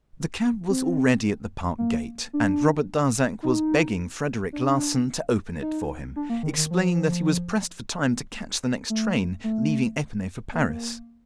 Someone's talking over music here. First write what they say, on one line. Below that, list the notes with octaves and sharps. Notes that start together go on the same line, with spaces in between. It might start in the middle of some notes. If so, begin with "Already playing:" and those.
The cab was already at the park gate and Robert Darzac was begging Frederic Larsan to open it for him, explaining that he was pressed for time to catch the next train leaving Epinay for Paris.
C4
A#3
D4
D#4
D4
D#4
D4
A#3
D#3
D#3
F3
A3
A3
A#3